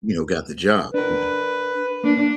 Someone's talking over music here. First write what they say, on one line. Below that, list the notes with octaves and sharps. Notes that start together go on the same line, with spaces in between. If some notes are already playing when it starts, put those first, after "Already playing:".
you know, got the job, you know
D4 A#4 B4
A#3 D4